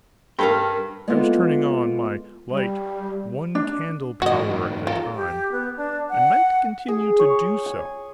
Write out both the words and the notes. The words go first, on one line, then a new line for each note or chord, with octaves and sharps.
I was turning on my light one-candle-power at a time, and meant to continue to do so.
G2 A4 A#4 F5 G5
G#3 A#3 B3 E4 F4 A4
G3
D4
G#2 E3 F#4 D#5
F4 A4 A#4
G4
B3
D4
F#5
G#4
C#5
G#5